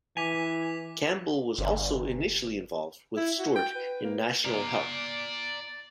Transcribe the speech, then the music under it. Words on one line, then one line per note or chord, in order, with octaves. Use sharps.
Campbell was also initially involved with Stewart in National Health.
E3 G#5 D6 B6 F7
G1
E4
F#4
G5
B4
A#3
D5 A#5